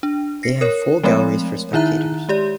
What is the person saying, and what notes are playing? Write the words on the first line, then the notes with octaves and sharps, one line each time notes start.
They have full galleries for spectators.
D4
A#6 C7 C#7
A#4 C#5
F3 G#3 A3 C4 C#5
D#3 D#4 E4 E5 A#5 F#6
G#3 G4 D5